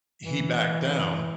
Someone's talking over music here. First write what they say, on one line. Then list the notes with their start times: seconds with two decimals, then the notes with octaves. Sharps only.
he backed down.
0.24 E3